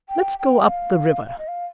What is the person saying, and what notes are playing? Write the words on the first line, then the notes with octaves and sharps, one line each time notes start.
"Let's go up the river."
G5
G5
F5
F5
D#5
F5